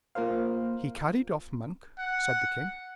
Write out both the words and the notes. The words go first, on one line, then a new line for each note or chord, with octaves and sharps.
"He carried off Monk?" said the king.
A#3 F4 A#4 C5 F5
F#5